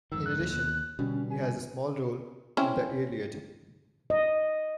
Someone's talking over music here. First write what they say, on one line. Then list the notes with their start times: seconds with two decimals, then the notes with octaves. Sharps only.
In addition, he has a small role in The "Iliad".
0.12 F2 G#2 D#3 E6
0.26 F#6
0.40 D#2
0.99 B2 D3 G3 C#4
1.31 G#5
2.57 C4 C#4 E4
4.10 D#5